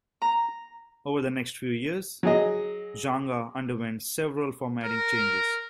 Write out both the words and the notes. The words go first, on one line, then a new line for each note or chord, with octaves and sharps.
Over the next few years, Xanga underwent several formatting changes.
A#5
F#3 G#4 D#5
A#4